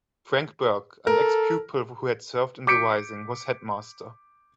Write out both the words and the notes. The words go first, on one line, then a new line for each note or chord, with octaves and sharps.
Frank Burke, an ex-pupil who had served in the Rising, was headmaster.
A4 A#4
D6 G6 B6 C#7 D7